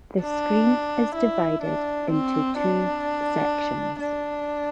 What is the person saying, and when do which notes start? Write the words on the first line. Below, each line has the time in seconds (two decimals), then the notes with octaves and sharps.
The screen is divided into two sections.
0.21 D4
1.16 E4
1.62 D4
2.11 C4
2.58 D4
4.00 D4